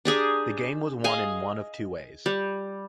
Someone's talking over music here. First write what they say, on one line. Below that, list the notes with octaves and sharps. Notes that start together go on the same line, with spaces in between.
The game was won in one of two ways.
D4 G4 G#4 A#5
G#4 D#5 F5 G#5
G3